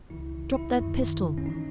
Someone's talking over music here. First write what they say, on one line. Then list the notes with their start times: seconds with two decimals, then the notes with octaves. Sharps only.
"Drop that pistol!"
0.10 C#2 C#3 E3 E4
0.56 E4
0.79 F#2 D#3
1.38 C#4
1.46 E3 D#4